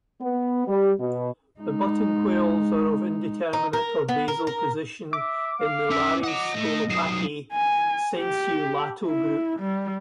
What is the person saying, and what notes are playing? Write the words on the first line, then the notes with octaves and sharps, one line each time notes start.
The buttonquails are of indeterminate or basal position in the Lari-Scolopaci "sensu lato" group.
B3
G3
B2
G#3 D#4
D#4
A#4
B3
A#4
A#4
E5 D6
F5
C#4 A#4 E5
D#5 F#5 A#5
A2
D#3 F#3 D#6 C7 E7
G#5
G4
E4
G3